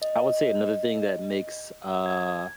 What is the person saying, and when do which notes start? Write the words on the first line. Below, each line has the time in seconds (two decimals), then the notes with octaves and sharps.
I would say another thing that makes, uh,
0.02 D#5
2.06 G#6